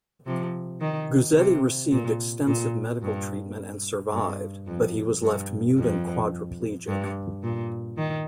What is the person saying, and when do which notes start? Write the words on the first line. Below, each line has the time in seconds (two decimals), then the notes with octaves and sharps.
Guzzetti received extensive medical treatment and survived, but he was left mute and quadriplegic.
0.26 C3 F3
0.81 D#3
1.37 C3
1.91 A#2
2.47 A#2
3.02 G2
4.12 G2
4.67 F2
5.22 G2
5.78 F2
6.88 G2
7.43 A#2
7.97 D#3